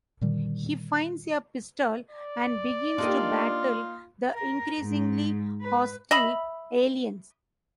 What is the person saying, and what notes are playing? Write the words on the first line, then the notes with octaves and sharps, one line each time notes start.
He finds a pistol and begins to battle the increasingly hostile aliens.
A#2 D3 D#3 G3
D5
A#3 D4 D#4 F4 G4 D#5
A#4
G#2
B4
D#5 E5 B5